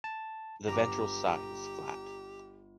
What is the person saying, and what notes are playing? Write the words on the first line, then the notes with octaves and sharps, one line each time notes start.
The ventral side is flat.
A5
G1 G4 A#5 D6